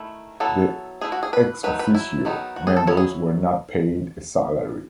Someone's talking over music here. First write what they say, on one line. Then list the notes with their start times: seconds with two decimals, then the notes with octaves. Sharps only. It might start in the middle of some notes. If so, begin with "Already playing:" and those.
The "ex officio" members were not paid a salary.
Already playing: D#3 A3 E4
0.40 F#3 B3 E4 A4
1.01 E3 A3 E4 G#4
1.12 F#4
1.23 G#4
1.33 B4
1.63 F#3 A3 D#4 B4
1.79 B4
1.95 E4
2.25 D#3 F#3 B3 D#4
2.56 F#4
2.67 G#4
2.77 A4
2.87 F#3 C#4 E4 C#5
2.97 G#4